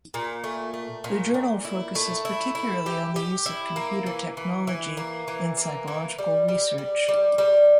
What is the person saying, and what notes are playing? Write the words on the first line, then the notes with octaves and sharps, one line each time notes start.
The journal focuses particularly on the use of computer technology in psychological research.
A#2
A3
A3
A#2
A#2
E4
A3
E4
E4
G4
G4
E4
A#3
E3
E3
E3
A#3
E3
A#3
E3
G3
G3
G3
G3
G3